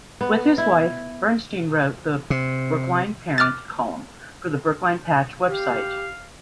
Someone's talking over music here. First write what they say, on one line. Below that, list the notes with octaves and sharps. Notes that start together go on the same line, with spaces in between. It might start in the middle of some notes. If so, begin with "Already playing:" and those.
With his wife, Burstein wrote the "Brookline Parent" column for the Brookline Patch website.
B3
E4
C3
D6 F6 F#6 A6
G4 F5